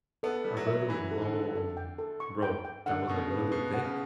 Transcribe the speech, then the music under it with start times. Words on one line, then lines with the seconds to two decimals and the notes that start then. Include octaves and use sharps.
a really long rope that was, like, really thick,
0.23 B3 A4
0.44 G3 A4
0.57 F#3
0.67 E5
0.89 E3 B5
1.11 A4
1.22 D3
1.34 A4
1.55 A4
1.77 G5
1.98 A4
2.20 C#6
2.43 G5
2.65 G5
2.86 D3 F#5
3.08 B2 C#6
3.18 C#3
3.30 B4
3.51 B2 B4
3.74 F#5
3.84 C#3